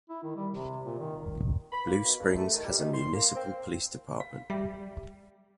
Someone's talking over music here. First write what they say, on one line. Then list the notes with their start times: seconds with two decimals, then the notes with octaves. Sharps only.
Blue Springs has a Municipal Police Department.
0.10 E4
0.23 D#3
0.36 G3
0.52 C3
0.85 A#2
1.00 D#3
1.72 B5
1.86 A#3
2.03 B2
2.20 G2
2.35 A3
2.53 D#3
2.64 G3
2.77 D#3
2.93 C6
3.13 A#3
3.35 C4
4.20 F5
4.50 G3 E5